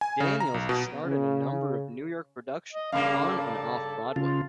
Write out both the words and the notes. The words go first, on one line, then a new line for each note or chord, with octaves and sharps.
Daniels has starred in a number of New York productions, on and off Broadway.
G#5
C#3
A#5
B1
B2
C#3
D#5
G2 C#3 A#3 F5
A4
C#3 F4